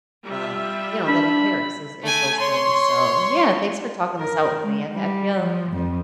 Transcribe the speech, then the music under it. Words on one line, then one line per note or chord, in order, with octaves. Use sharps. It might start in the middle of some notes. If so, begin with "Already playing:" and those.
um, you know, that he cares is is those things. So, yeah, thanks for talking this out with me, I I feel
G3 F4 E5
D4 B5
A3 G#5
C#5 C6
A#4
G#3
G3
F3
F2